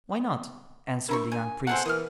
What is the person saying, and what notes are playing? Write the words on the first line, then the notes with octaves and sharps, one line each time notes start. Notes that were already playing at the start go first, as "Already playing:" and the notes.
"Why not?" answered the young priest.
D4 E4 A#4 A#5 C#6
G#5
C4 G#4 A4 F#5
E3 A#4 D#6 F6